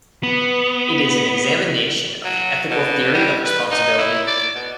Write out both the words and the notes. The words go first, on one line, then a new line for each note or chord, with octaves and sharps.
It is an examination of the ethical theory of responsibility.
B3
F#3
B2
G3
B4
D#4
E4
D5
B2